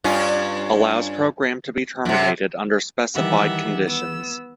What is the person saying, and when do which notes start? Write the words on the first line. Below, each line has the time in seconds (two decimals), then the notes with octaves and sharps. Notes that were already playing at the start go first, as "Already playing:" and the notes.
Allows program to be terminated under specified conditions.
0.04 G2 C#4 F4
2.05 F#2 C3
3.15 D#3 E3 G3 G4 E5 F#5
3.84 B3 E6